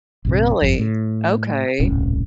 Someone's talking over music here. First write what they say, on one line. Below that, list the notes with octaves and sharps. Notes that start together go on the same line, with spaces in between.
Really? Okay.
A#1 G2 C3
G1 F2
A2
D#1 C2 A2 C#4